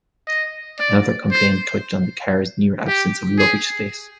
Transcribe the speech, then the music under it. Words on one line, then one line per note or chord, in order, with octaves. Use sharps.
Another complaint touched on the car's near absence of luggage space.
D#5
D5
C5
G4
G#4